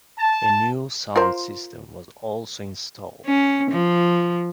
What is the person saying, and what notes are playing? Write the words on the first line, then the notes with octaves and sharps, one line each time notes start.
A new sound system was also installed.
A5
F4 A#4 C5
C#4
F3